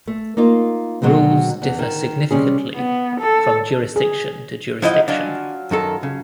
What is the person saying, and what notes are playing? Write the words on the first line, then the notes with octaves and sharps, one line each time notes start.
Rules differ significantly from jurisdiction to jurisdiction.
A3
A#3 D#4 F4
B2 F#3 G#3 C4
E2
D#3
C3 G3 C#4 G#4
B3
A4
G#4
F3 F#3 D#4 E4 D#5
F#3 D4 F4 G#5
F#2 D#3 A4
C#3